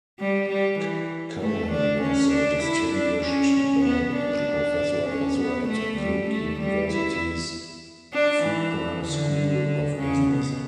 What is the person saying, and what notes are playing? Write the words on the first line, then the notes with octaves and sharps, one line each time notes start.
Cohen was the Distinguished Bank Research Professor at Duke University's Fuqua School of Business.
G3
G3
E3
A3
D4
C#4
D4
E4
D4
C#4
C#4
B3
D4
C#4
B3
A3
G3
A3
G3
E4
D4
E3
D3
C#3
B2